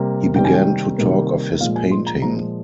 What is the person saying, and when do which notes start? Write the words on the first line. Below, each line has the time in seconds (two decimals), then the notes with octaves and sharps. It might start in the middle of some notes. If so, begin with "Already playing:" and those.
He began to talk of his painting.
Already playing: C3 G3 A#3
0.36 C3 D#3 G3 A#3 G5
0.45 G#5
0.53 G5
0.98 C3 D#3 G3 A#3
1.60 A#2 F3 G#3 F5
1.76 G#5
1.91 C6
2.07 A#5
2.22 A#2 F3 G#3 A#5